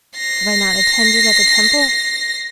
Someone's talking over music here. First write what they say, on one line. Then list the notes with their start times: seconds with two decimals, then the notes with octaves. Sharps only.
Have I not attended at the Temple?
0.17 A#6 C7